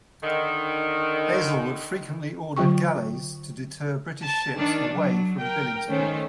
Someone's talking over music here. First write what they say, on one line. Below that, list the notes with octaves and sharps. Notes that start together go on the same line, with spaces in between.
Hazelwood frequently ordered galleys to deter British ships away from Billingsport.
D3 D#3
D3 F#3 F4 G5 C#6
A5
D#3 D4
F#3
A#4 G5
D#3 A3 C#4 C5